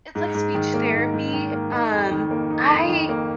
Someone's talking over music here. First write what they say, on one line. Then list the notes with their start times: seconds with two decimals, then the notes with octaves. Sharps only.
it's like speech therapy, um, I
0.15 G#2
0.35 G#2
0.55 D#3
0.74 A#3
0.93 G#2
1.14 G#2
1.33 D#3
1.52 A#3
1.71 D#4
1.91 F2
2.11 D#3
2.31 A#3
2.50 D#4
2.70 F2
2.89 D#3
3.09 A#3